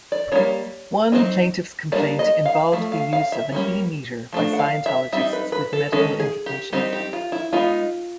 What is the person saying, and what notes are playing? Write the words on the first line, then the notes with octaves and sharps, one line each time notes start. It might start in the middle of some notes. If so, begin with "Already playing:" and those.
One plaintiff's complaint involved the use of an E-Meter by Scientologists with medical implications.
D5
G3 A#3 D4 C#5
F#3 A3 C4 D#4
G3 A#3 D4 D5
D#5
F5
F3 A3
F5
F5
E5
G3 A#3 C#4
F3 A3 D4
F#5
F5
E5
G3 C4 D#4 E5
B4
B4
A4
D#3 G#3 C#4 A4
G#4
G4
G3 C4 D#4 G4
G4
F4
E4
G#3 B3 D#4 F4